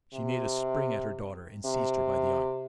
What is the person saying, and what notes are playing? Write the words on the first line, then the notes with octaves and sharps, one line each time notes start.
She made a spring at her daughter, and seized her by the arm.
C3
C3